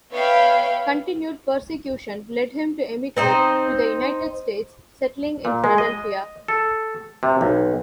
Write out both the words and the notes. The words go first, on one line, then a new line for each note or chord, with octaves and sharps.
Continued persecution led him to emigrate to the United States, settling in Philadelphia.
B3 C#5 E5 F5 G5 B5
C4 D#4 C5
A#2
G#3
D#5
A4
C3
B1